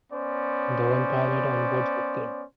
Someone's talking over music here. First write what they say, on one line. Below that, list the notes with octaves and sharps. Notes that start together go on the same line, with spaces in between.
The one pilot onboard was killed.
B3 C#4 C5 D5